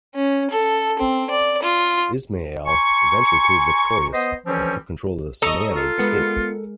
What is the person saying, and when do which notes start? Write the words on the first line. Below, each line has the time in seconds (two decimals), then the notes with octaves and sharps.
Isma'il eventually proved victorious, and took control of the Samanid state.
0.15 C#4
0.51 A4
0.99 C4
1.31 D5
1.63 F4
2.66 G#5 A#5 C6 C#6
4.12 B3 C5 D#5
4.46 D2 E3 F3 G3 C4 C#4
5.42 A4 D#5 A#5 C#6 D#6
5.75 F4
5.98 G#3 B3 A#4 C#7